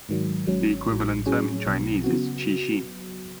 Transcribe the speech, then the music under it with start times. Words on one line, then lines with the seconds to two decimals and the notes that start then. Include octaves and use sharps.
The equivalent term in Chinese is "cishi".
0.09 G#2 D#3 F#3
0.47 G#1 G#2 F#3 C#4
0.87 A1 A2 F#3
1.26 A2 F#3 C#4 G#4 C#5
1.65 B1 B2 F#3
2.04 C#3 F#3 B3 F#4